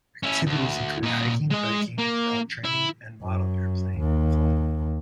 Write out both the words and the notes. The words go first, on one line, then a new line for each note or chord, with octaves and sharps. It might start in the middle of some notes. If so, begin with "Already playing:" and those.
Activities include hiking, biking, dog training, and model airplane flying.
C#4 E4
D2
A#2 D#5
G#3 D#5
A#3
E4
F#2
D#2